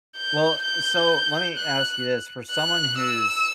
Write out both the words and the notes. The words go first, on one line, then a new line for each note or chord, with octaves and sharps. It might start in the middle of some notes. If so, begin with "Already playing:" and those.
Well, uh, so, let me ask you this. For someone who's
G6
G6
F#6
F#6
E6